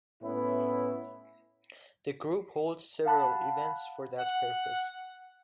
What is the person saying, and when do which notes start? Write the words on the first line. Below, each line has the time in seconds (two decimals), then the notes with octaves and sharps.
The group holds several events for that purpose.
0.22 A2 B3 C#4 E4
3.05 F5 F#5 A5 B5 F#6
4.19 F#5